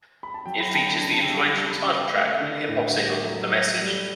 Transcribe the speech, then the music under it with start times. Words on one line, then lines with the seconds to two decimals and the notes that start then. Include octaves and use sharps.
It features the influential title track and hip-hop single "The Message".
0.23 B5
0.34 A5
0.46 F#3 G5
0.60 B5
0.69 G5
0.75 D3 A5
0.88 B5
1.02 C#3 A5
1.14 A5
1.21 G5
1.30 G3
1.39 A5
1.57 G3 A5
1.71 B5
1.85 C#3 A5
1.99 G5
2.13 A3 B4
2.27 A4
2.40 D3 D4
2.68 A2 E4
2.87 F#4
2.96 G3
3.06 G4
3.24 F#3 A4
3.52 A3
3.80 G3